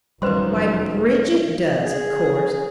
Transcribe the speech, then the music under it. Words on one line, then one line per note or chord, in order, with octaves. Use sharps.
"Why, Bridget does, of course."
F1 F#2 D#3 F3 G3 B4 C5 C6
G#4